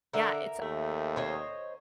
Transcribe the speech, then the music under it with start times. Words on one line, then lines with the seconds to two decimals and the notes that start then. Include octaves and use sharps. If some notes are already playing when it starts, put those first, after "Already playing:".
yeah, it's
0.13 D3 A#4 E5
0.62 D#2 A3
1.16 C5 C#5 D#5